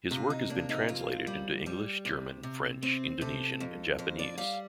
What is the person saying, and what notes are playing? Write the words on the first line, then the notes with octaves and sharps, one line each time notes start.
His work has been translated into English, German, French, Indonesian and Japanese.
C3 F4
D#4
A#3 D4
D#4
F2 F4
G3
G3
C3
C3
C4
C3 A4
F2
F2 C5
D5
G3 F5